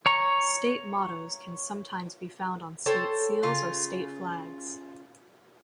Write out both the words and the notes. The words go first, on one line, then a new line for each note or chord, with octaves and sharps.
State mottos can sometimes be found on state seals or state flags.
C#5 A#5 C#6
A4 C5 C#5 G5
C#3 F4